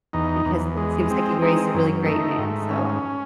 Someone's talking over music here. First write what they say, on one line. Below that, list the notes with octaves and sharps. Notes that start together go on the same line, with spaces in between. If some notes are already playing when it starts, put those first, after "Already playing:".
because well it seems like he raised a really great man, so I
E2 D#4
E2
G#3
C4
G#3 D#4
F#2
A3 D#4
G#2
C#4